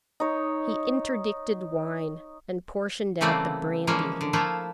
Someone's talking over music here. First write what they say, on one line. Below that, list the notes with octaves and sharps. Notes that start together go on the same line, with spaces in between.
He interdicted wine, and portioned out the brandy.
D#4 C#5
C#3 E3 G3 A3 A#3 C4
E3 F3 G#3 A#3 C#4
D3
F3 A3 A#3 E4 F4